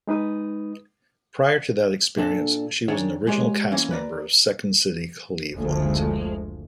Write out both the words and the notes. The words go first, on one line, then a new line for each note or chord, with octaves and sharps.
Prior to that experience, she was an original cast member of Second City Cleveland.
G#3 D#4 B4 D#6
A#2 D4 A4
D#3 D4 G#4 C#5
G#3 G4 C#5 D#5
E3 A#3 C#4
B4 D5 A#5
F#1 D2 F3 G#3 A3